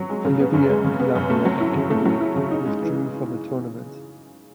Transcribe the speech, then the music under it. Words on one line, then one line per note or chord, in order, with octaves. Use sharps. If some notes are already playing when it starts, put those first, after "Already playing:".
Bolivia, Colombia, and Ecuador withdrew from the tournament.
Already playing: F#3
G#3
C#3
B3
F#2
G#3
C#3
B3
F#2
A3
F#3
E4
C#3
A3
F#3
E4
C#3
D#4
G#3
E3